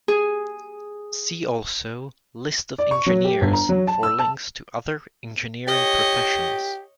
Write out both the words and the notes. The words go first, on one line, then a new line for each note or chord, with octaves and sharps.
See also List of engineers for links to other engineering professions.
G#4
D5
C#6
F#3
G4
G1
A#5
F#3
A5
E6
A5
G4 C#5 D#5